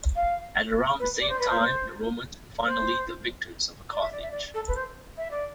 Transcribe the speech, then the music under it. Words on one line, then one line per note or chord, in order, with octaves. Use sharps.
At around the same time, the Romans were finally the victors over Carthage.
F5
B4
D5
C5
B4
C5
C5
D5
E5
D5
E5
D5
A4
B4
C5
E5
D5